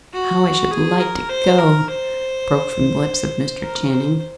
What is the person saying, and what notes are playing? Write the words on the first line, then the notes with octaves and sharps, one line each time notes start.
"How I should like to go!" broke from the lips of Mr. Channing.
F#4
G#4
A#4
C5
A#4
C5
A#4
C5